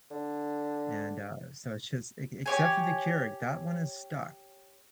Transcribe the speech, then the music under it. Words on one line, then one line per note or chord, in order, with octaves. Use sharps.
and, uh, so it's just ec except for the Keurig, that one is stuck,
D3
G4 C#5 G#5